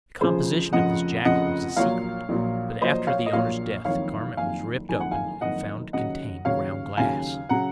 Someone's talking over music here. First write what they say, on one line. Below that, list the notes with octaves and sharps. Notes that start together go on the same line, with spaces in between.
The composition of this jacket was a secret, but after the owner's death the garment was ripped open and found to contain-ground glass!
F1 F2 C#3 F3 G#4 C5
F1 F2 C#3 F3 D#5 F#5
F1 F2 C#3 F3 D#5 F#5
A#1 A#2 F#3 C#5 F5
A#1 A#2 F#3
A#1 A#2 F#3 C5 D#5
C#5 F5
D#5
A#1 A#2 F#3 C#5 F5
F#1 F2 D#3 C#5 F5
F#1 F2 D#3 F5 G#5
F#1 F2 D#3 G#5
F#5
F5 G#5
F#1 F2 D#3 D#5 F#5
D#2 C#3 F#3 D#5 F#5
D#2 C#3 F#3 C#5 F5
D#2 C#3 F#3 F5 G#5
C#3 F#3 F#5 A#5